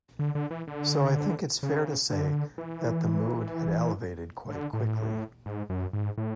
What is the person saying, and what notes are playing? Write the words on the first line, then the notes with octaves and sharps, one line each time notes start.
So I think it's fair to say that the mood had elevated quite quickly.
D3
D3
E3
D3
C#3
D3
E3
D3
A2
G#2
F#2
G#2
A2